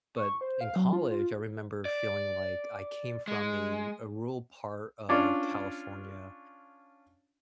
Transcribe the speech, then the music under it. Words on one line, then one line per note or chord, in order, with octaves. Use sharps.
But in college, I remember feeling like I came from a a rural part of California.
C#6
C5
F5
F#3
F4
F4
D5
G#3
C#4 D4 F4